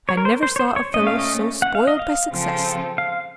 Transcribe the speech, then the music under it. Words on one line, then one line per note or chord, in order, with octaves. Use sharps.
'I never saw a fellow so spoiled by success.
C#5
A#4
C5
C5
C#5
C5
C#5
A#2 A3 C#4 D#5
F5
D#5
F#5
F5
D#5
F5
C#3 F3 C4 F4 A4
F5